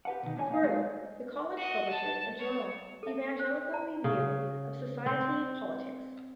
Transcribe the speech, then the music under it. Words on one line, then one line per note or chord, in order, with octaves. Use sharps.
Further, the college publishes a journal Evangelical Review of Society and Politics.
G4 B4 F#5
B2 D#3
A2 D4 C#5 G#5
A#3 D#4 F5
G#3 D4 F#4 G#4 A4
F#4 D#5
A5
C#5
A4 E5
C5
D5 A#5
C#3
C4